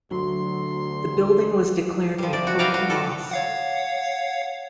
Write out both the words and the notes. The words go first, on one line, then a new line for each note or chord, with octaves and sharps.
The building was declared a total loss.
D2 F#3 C6
F3 G3
C3 D5
F#4
B4 D5 E5 F5 G5 A#5
F#4
G3 A4
C#5 F5 F#5